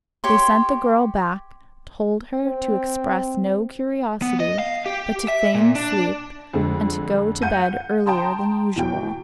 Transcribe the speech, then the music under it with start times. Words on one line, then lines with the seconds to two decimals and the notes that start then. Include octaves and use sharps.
They sent the girl back, told her to express no curiosity, but to feign sleep, and to go to bed earlier than usual.
0.24 G4 C#5 C6
2.46 C4
4.22 B3
4.40 D#5
4.59 F5
4.86 G4
5.28 E5
5.54 A#2
5.75 D4
6.54 F2 D3 G#3
7.42 F5 F#5 G6 D#7
8.06 G5 A5 A#5 C6 D#6
8.76 E2 B2 G5